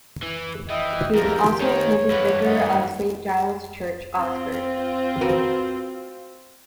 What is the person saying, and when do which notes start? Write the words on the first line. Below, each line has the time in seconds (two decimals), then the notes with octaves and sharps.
He was also appointed Vicar of Saint Giles' Church, Oxford.
0.22 E3
0.70 E3 D#5 E5 G5
1.15 F2 A#3 G4 A#4
1.61 D#3 D#4 C#5
2.11 G2 E3 B4 F#5 B5
2.46 A#3 D#5 F#5
4.19 C4 F4
5.21 F#4 A#4 B4